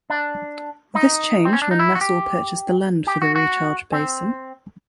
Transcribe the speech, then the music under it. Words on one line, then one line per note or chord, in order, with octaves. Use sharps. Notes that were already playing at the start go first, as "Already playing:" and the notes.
This changed when Nassau purchased the land for the recharge basin.
D4
D#4
C4
C#4
D4
D#4
E4
F#4
G4
G4
F#4
F#4
C4